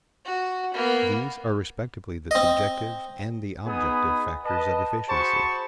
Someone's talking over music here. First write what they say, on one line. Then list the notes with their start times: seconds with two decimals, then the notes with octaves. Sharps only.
These are respectively the subjective and the objective factors of efficiency.
0.25 F#4
0.74 A#3 B3
2.31 C4 D#5
3.66 B3 D#4 G#4 G#5 B5 D#6
4.45 B4 D#5 A5
5.09 F#4 G#4 C5 A5 B5 C#6